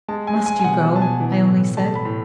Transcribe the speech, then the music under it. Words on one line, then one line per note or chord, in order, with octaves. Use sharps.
"Must you go?" I only said.
G#3 A5
G#5
G#3
G#5
G#5
B2 F#5
B2 A5
G#5
E3
A2
A3 A5
B5
A2